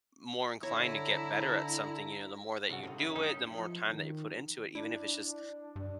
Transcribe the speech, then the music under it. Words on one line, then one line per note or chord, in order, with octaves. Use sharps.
more inclined to get better at something, you know, the more that you do it, the more time that you put into it, even if it's just,
D3 E4 C#5 A#5
C2 G2 C#3 F#4
A2 D3 D#4 F4
F#2 C#3 E4
F#2 A3 C#4 D#4
F3
D#3
D4 E4
G2